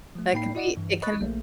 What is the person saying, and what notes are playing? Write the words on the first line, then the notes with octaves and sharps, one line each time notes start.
That can it can
F3 A3
A2 A#3 D#4 G5 B5 C7
E4 F#4 D5 D#5 F#5
G2 E3
D#5 B5 C#6 D#6 F#6 A6
A#1 A3 A#3